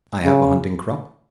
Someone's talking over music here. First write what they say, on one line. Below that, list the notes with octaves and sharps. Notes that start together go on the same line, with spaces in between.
"I have a hunting-crop."
C#3